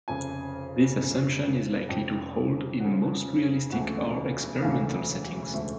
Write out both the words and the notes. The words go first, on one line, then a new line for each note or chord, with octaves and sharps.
This assumption is likely to hold in most realistic or experimental settings.
F1 F2 C#3 G#5
F1 F2 C#3
F1 F2 C#3 G5
F1 F2 C#3 F#5
E1 D2 C#3 E3 A3 F#5
E1 D2 C#3 E3 A3 F5
E1 D2 C#3 E3 A3 E5